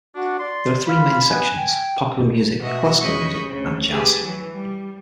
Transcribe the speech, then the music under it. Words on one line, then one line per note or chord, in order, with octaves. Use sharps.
There are three main sections - popular music, classical music, and jazz.
D4 F#4
D5 C6
F4 B5
B3 G#5
G5
B2 F#4 D#5 E5
C#3 G#3 D#5 B5 C#6 G6
D2 C#3
G4 G#4 B4 G#5 A5
E3 F#3
G3